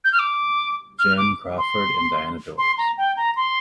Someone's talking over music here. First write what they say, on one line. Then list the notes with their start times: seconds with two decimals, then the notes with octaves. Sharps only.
Joan Crawford and Diana Dors.
0.04 G6
0.12 F6
0.19 D6
0.99 F6
1.18 D6
1.58 C6
2.58 C6
2.78 A#5
2.98 G5
3.17 A#5
3.36 C6